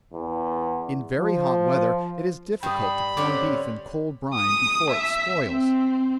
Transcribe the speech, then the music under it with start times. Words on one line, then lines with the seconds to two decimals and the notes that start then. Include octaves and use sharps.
In very hot weather, it is difficult to corn beef in cold brine before it spoils.
0.13 E2
1.20 F3
2.63 G2 G5 B5 D#6
3.17 D3 C4 C#4 D6
4.36 D#6
4.91 E5
5.46 C4